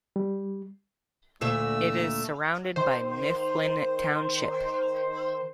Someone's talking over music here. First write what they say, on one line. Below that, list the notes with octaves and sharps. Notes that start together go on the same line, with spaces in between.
It is surrounded by Mifflin Township.
G3
D2 A#2 A3 E5 E6
D#3 C5